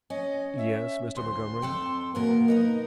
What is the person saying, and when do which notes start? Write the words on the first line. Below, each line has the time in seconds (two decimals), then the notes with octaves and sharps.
"Yes, Mr. Montgomery?"
0.10 C#4 D#5
0.57 E5
1.16 D2 C6
1.62 F2 A4 G5
2.15 E2 B2 A#3 A#4
2.48 B3 D#4 A#4 D#5